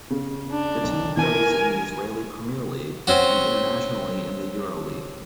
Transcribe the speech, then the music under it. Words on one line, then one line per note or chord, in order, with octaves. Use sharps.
The team plays in the Israeli Premier League and internationally in the EuroLeague.
C#3
D4
B1
E3 A#4 G#5
C4 C#4 F#4